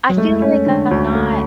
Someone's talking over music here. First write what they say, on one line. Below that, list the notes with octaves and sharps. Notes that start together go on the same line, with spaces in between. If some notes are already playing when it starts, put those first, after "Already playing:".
I feel like I'm not
F#3
G#3 A3
C#4
D3
D2
A3